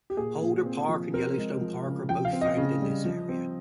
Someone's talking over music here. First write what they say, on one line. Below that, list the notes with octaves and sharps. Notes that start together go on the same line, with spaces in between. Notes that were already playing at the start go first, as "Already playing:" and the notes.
Holder Park and Yellowstone Park are both found in this area.
G4
A#2 G#4
A#2
C4
F3
C4 A#4
G#3
F3
C#3
F3 G5
F5
C4
D#5
C#3
G3
F3
C4